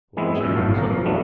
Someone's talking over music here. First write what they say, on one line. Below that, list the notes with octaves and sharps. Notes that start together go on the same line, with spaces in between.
"Why should you think so?"
E3 G#3 B3 C4 E4
F#2 A#2 E5
G#1 A2 F#4 F5 A5
B1 A#5
F3
F#3 G3 A3 B3 D4